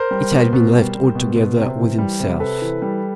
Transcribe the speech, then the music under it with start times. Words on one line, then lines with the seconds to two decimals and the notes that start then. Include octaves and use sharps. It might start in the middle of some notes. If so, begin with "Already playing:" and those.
It had been left altogether with himself.
Already playing: A#4 C5
0.11 G3
0.31 B2
0.53 B2
0.74 G3
0.95 G3
1.15 B2
1.36 B2
1.57 C3
1.78 E3
1.98 G3
2.20 C3
2.40 C3 A4 B4
2.61 E3
2.82 G3